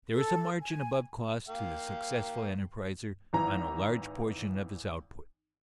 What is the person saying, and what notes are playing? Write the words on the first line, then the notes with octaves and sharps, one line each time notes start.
There is a margin above costs to the successful enterpriser on a large portion of his output.
A4
G#5
A#3 F5 G5
G#1 E3 A#5